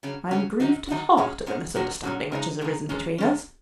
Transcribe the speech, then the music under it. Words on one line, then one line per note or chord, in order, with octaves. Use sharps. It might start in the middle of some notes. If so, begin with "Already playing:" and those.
I am grieved to the heart at the misunderstanding which has arisen between us.
C#3 F#3 C#4
C#3 F#3 C#4
D#3 F#3 D#4 F#4
D#3 F#3 D#4 F#4
A#2 G#3 C#4 F#4
A#2 G#3 C#4 F#4
A#2 F#3 C#4 F#4
A#2 F#3 C#4 F#4
C#3 G#3 D#4
C#3 G#3 D#4
D#3 G#3 C#4
D#3 G#3 C#4